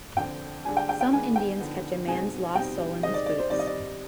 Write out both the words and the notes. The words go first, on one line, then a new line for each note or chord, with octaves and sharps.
Some Indians catch a man's lost soul in his boots.
F2 D3 F3 C4 G5
G2 D3 G#3 D4 G#5
G5
G5
G5
D#3 G#3 B3 D4 G#5
G5
D3 F3 B3 D#4
B2 G#3 C4 D#4 G#5
B2 G3 C4 D#4 G5
C3 D#3 G#3 C4 D#4 D#5
D5
D5
C5
D#3 G3 C4 D#4 D5
D#5
D5